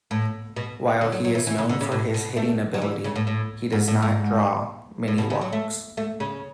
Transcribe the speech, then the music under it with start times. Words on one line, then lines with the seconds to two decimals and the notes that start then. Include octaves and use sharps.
While he is known for his hitting ability, he does not draw many walks.
0.11 A2
0.56 B2
1.01 D3
1.12 F#3
1.25 F#3
1.35 E3
1.47 E3
1.58 C#3
1.69 D3
1.81 C#3
1.92 A2
2.14 B2
2.37 A3
2.74 F#3
2.82 E3
3.04 C#3
3.16 A2
3.27 A2
3.72 G#2
3.88 A2
4.02 G#2
5.08 A2
5.18 B2
5.30 C#3
5.41 F#3
5.53 A3
5.97 A3
6.20 C#3